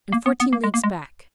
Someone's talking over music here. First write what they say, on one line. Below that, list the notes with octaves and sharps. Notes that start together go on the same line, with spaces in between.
"And fourteen leagues back?"
A#3
B3
B3
A#3
G#3
A#3
G#3